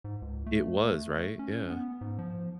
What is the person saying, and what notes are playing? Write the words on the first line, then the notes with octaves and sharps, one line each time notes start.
It was, right? Yeah.
G#2
C#2
A3
C#4
B3
G#2
F3